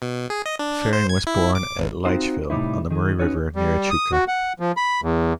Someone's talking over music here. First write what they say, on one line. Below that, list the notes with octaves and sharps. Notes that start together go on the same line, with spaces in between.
Fehring was born at Leitchville, on the Murray River, near Echuca.
B2
G#4
D#5
D4
C5
G#6
E4
D6
G#1
C4 D#4 F4 F#4 C5
A2 C3 G3 D#4 E4
D#3 G#4
C#4 D#4 F#4 B4 C#5
G3
D#6
F#4
F#5
F3
B5
E2